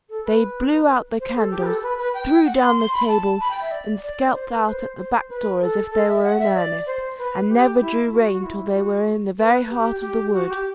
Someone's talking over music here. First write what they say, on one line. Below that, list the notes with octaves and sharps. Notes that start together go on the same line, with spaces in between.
They blew out the candles, threw down the table, and skelped out at the back door as if they were in earnest, and never drew rein till they were in the very heart of the wood.
A4
B4
C5
A4
G4
B4
A4
B4
B4
G5
F#5
C6
C6
B5
A5
B5
G5
E5
D5
D5
C5
B4
C5
C5
B4
A4
A4
E5
F#5
E5
D5
C5
B4
G4
E4
F#4
F#4
E4
G4
F#4
B4
G4
G4
F#4
G4